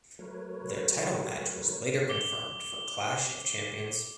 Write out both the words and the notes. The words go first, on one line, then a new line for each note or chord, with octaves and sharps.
Their title match was later confirmed for Clash of Champions.
F#3 A3 A#4 B4 C#5
D6 G7